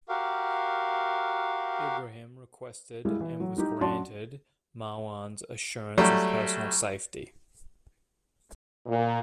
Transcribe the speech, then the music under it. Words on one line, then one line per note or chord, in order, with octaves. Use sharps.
Ibrahim requested and was granted Marwan's assurance of personal safety.
F#4 G4 A#4 F5
G3 G#3 E4 F4
E3
F#3
G3 D#4 G4
F#2 D4 F#4 D5 A5 C6
F#3 G3 A3 G4
A#2